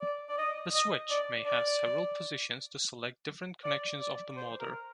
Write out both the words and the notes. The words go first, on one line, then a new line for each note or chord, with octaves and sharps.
The switch may have several positions to select different connections of the motor.
D5
D5
D#5
D#5
D5
D5
D5
D5
C5
A#4